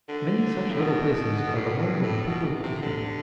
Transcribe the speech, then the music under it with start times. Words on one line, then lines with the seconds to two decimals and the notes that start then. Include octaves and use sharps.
Many such little places are the homes of the people who keep them.
0.09 D3
0.71 A2
0.81 B2
1.54 A2
1.79 G2
2.03 A2
2.27 B2
2.45 C3
2.63 C3
2.82 D3